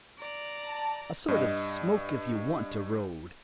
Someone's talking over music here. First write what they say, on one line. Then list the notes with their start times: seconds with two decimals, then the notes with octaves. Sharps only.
A sort of 'smoke-if-you-want-to' road.
0.19 D5 A#5
0.63 A5
1.28 G2 D#5